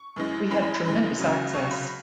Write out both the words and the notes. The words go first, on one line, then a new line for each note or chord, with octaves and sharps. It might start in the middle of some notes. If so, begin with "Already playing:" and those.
We had tremendous access.
Already playing: C#6
F#2 E3 G#3
F#2 E3 G#3 B5
B5
B5
F#2 E3 G#3 B5
C#2 C#3 F#3
C#2 C#3 F#3 C#6
B5